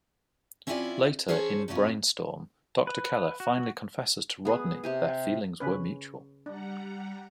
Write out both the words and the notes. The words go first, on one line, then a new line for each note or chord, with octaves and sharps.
Later, in "Brainstorm", Doctor Keller finally confesses to Rodney their feelings were mutual.
C4 C#4 E4 F4 A4 D5
C#4 G#4 A4 C5 C#5
G2 C3 C#4 F4
B4
F#4
B3 G#4
C3 G4 G#5
C#3 C#4 B4
G3 D4 F#5 A#5